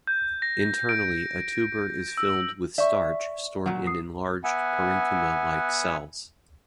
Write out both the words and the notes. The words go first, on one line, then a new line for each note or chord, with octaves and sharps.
Internally, a tuber is filled with starch stored in enlarged parenchyma like cells.
G6
A#6
D7
E6
D5 E5 C#6
A#2 F#3
D#6 C7
B3 E5 F#5 G#5